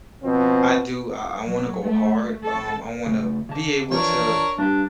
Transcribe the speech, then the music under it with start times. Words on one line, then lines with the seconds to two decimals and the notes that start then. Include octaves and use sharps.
I do, I I wanna go hard, um, I wanna be able to
0.23 B2 F3 C4
1.45 F#3
1.83 A3
2.44 A4
3.06 C#3 A3
3.49 C#3 A5
3.91 E3 F3 D4 A#4 C#5
4.58 G2 D4 G4